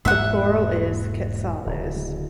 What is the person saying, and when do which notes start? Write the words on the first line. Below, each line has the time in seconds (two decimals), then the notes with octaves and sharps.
The plural is "quetzales".
0.05 E1 G#2 A#3 E5 F#5
1.66 D1 C#3